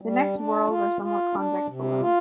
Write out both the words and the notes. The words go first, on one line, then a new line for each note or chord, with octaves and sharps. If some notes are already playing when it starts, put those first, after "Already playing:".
The next whorls are somewhat convex below.
G3
D4
F4
F4
D4
C3
F4